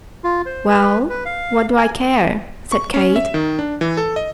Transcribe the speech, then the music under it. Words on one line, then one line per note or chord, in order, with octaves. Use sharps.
"Well, what do I care?" said Kate.
F4
C5
B4
B4
F5
G#5
C#6
C#4
E5
D#3
D4
E3
A4
D#5